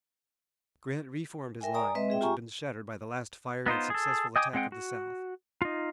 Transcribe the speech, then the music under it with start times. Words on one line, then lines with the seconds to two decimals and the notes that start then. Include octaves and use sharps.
Grant reformed his line, which had been shattered by the last fiery and successful attack of the South.
1.61 A#4 E5 G5 G#5
1.74 D5 G#5 A#5 D#6
1.95 G#3 C4 B4 D#5 E5
2.09 C4 G#4 E5 G5
2.21 F4 G4 G#5 A#5 C#6
3.66 B3 D#4 F4 C5
3.90 G#4 A4
4.36 D#5 G5 G#5 D6 D#6
4.53 G#3 C4 F#5 G5
4.72 F#4
5.62 D#4 F4